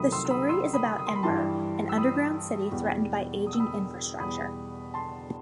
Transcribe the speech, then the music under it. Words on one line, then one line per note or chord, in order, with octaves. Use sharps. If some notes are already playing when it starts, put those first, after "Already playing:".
The story is about Ember, an underground city threatened by aging infrastructure.
Already playing: C2 C3 D#3 F#3 A3 B5 D#6
C6 E6
E6
B5 D#6
C6 E6
B5 D#6
D#6
C6
B5
G2 E3 G3 A5 C6
E6
B5 D#6
E2 B2 G3
D#6
E6
B5 D#6
E2 B2 G3 B5 D#6
A5 C6